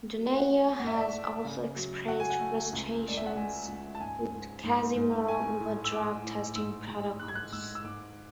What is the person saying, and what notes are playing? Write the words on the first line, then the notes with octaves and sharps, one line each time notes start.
Donaire has also expressed frustrations with Casimero over drug testing protocols.
F#3
F#5
A3
G#2 F#5
E5
D5
E5
A3
C#3
F#3
F#3 F#5
G#5
F#5
A3
C#2
G#3 D5
E5
F#5
G#3 G#5
C#2
A5
G#2 G#5
G#2
G#2
G#2
A3 G#5
A2
E6
A2 D6
A2
G#2 E6
G#3
G#2 F#6
G#6
F#6
G#2 E6
E6
G#2 D6